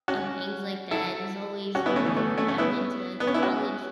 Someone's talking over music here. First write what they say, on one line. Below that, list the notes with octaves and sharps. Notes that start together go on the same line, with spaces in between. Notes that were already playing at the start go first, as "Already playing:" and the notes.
of things like that. It's always really cool. I went to college
C#4 F#4
E4 A4
C#4 F#4
B3 E4
A3 C#4
E3
A3 C#4
A3 C#4
A3 C#4
B3 E4
B3
C#4
E4
C#4 F#4